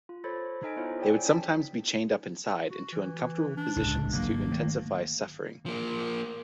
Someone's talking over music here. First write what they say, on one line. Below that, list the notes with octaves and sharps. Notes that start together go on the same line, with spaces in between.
They would sometimes be chained up inside into uncomfortable positions to intensify suffering.
F4
A4 C5 C#5 B5 A6 A#6
D#4 A4 D#5 G#5 B6 D7
B3 E4 F4 C5 C#5
G#4 A4 C#5 D5 G5 G#5
C#4 A5 B6
F#4
E3
D4
D1 C#2
G#1 D#3 F#3 A#3
D#3 A3
F3 A#3